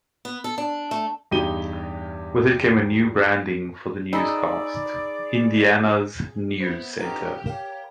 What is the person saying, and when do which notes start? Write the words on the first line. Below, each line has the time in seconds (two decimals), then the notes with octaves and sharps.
With it came a new branding for the newscasts, "Indiana's NewsCenter".
0.25 B3
0.44 A4
0.58 D4
0.91 A3
1.31 E2 G2 D#4 G4 D#7 G7
4.13 D#4 G#4 D5 B5 E6
6.60 B3 E4 C5
6.99 C#4 D#4 G4 A4 B4 F#5 A#5
7.46 A#4 C#5 F5 G5 E7